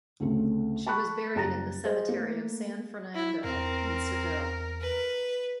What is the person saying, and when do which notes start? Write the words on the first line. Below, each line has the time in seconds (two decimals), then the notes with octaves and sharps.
She was buried in the cemetery of San Fernando in Seville.
0.20 D2 C#3 A3 C4
0.86 A5 B5 C#6 F#6
1.35 F#1 G3 A#5 A6 A#6
1.85 G#4 C5 D#5
2.08 A3 A#3
3.14 E4
3.44 E2 C4 A#4
4.81 B4